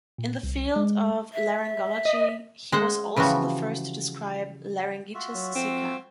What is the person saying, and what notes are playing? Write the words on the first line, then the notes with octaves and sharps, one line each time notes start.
In the field of laryngology, he was also the first to describe “laryngitis sicca”.
A#2
C2
G#3
E5
D#5
G#3 C5 F#5
C#3 E3 F3 G3 F#4
F4 F#4 E5
F#3
F2 C4